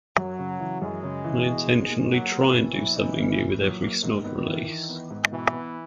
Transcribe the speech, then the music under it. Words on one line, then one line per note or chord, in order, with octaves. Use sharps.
I intentionally try and do something new with every Snog release.
F#2 F#3
C#3
E3
F#2 G#3
C#3
E3
B2
D#4
A#3
F#3 A#3
A#3
E3
B2
F#3
D#4
A#3
A#2
F#3
A#3
G#2 D#3
B3
E3
E3
B3
G#2
B2 E3
B3